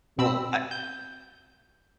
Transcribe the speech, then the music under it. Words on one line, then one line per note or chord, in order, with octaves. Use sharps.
Well, I
B2 C4 B5 E6
G6